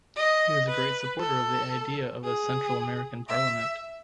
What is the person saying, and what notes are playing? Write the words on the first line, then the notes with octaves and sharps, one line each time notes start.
He was a great supporter of the idea of a Central American Parliament.
D#5
B4
A4
G#4
E5